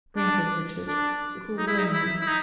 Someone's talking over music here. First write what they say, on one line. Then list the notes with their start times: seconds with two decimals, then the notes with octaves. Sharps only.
"Drink it, Richard, it will warm you."
0.16 D4
0.87 D4
1.58 D#4
1.67 E4
1.79 D#4
1.93 E4
2.21 E4
2.27 D#4